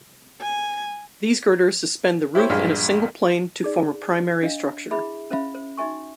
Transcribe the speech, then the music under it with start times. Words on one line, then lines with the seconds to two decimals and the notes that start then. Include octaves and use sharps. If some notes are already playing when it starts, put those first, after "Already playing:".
These girders suspend the roof in a single plane to form a primary structure.
0.41 G#5
2.35 E4 G4 C5 C#5
2.49 A#1 G2 G#3 F5 F6
3.63 D#4 G#4 D5
4.42 D4 D#5 F5
4.91 E4 G#4 E5 B5
5.30 C#4 C5 E5 F5 B5
5.55 C5
5.78 D#4 F#4 E5 G#5 C#6